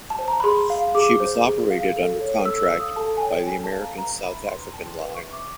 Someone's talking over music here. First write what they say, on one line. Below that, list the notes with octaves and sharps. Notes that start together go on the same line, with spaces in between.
She was operated under contract by the American South African Line.
A5
C5
A#5
B5
G#4 C6
F5
G#4 D6
C5
G#4
F5
A4
C#5
A4 E6
E6
F5
D#6
A4 A5
G#5
C#5 G5
A4 G#5
A5
F5
A#5
B4 A#5
E5 B5
B4 C6
A#5
G5 A5
C6
B4
C#6
E5
D6